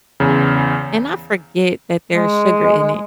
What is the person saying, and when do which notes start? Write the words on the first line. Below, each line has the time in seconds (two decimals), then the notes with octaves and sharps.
and I forget that there's sugar in it
0.20 E2 C#3
2.12 G#3